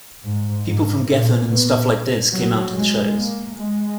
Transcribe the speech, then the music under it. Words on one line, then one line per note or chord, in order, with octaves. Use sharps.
People from Geffen and stuff like this came out to the shows.
G#2
G#2
A#2
B2
F#3
G#3
A#3
G#3